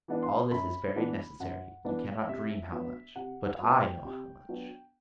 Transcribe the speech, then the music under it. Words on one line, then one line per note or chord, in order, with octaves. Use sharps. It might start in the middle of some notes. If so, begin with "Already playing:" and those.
All this is very necessary: you cannot dream how much: but I know how much.
E3 B3 D4
C6
F#2 B5
E3 B3 D4
F#2 F#5
E3 B3 D4
C3 E5
F#3 B3 D4
C3 F#5
F#5
F#3 B3 D4
G5
C3
F#3 B3 D4